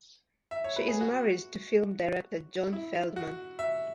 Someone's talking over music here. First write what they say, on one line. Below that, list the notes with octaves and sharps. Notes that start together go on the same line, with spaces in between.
She is married to film director John Feldman.
E5
C#5
B4
G#4
F#4
E4
F#4
E5